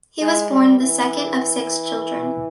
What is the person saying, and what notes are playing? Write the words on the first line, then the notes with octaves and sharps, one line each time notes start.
He was born the second of six children.
G#3
G3
E3